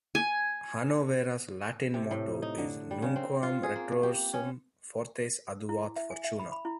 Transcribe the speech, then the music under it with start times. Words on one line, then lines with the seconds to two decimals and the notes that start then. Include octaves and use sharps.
Hannovera's Latin motto is Nunquam retrorsum, fortes adiuvat fortuna!
0.15 G#5
1.94 C3
2.11 A2
2.42 D#4
2.58 D3
2.91 G3
3.02 C#3
3.16 C4
3.43 F4
3.63 G#4
3.76 A#3
4.03 G4
4.34 C#4
5.69 E4
5.96 E5
6.10 G#5
6.24 E5
6.39 B5
6.52 B5
6.65 E4